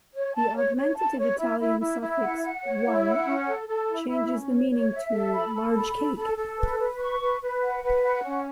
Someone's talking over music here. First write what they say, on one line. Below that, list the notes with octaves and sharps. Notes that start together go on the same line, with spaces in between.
The augmentative Italian suffix "-one" changes the meaning to "large cake".
C#5
A5
C#5
C#5
A5
C#5
E4
E4
E4
E4
F#5
F#5
C#5
E4
F#5
C#4
A4
A4
E4
E4
C#4
C#5
C#5
E5
A4
B5
A4
B5
A4
A4
A4
B4
B4
C#6
B4
B4
F#5
B4
F#5
C#4